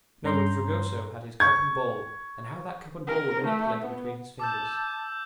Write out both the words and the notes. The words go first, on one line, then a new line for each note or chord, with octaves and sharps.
No; but Fragoso had his cup and ball, and how that cup and ball were manipulated between his fingers!
G2 C#4 A#5 C6 G6
C#6 G#6
A#4
A3
B3
A5 D6 E6 G6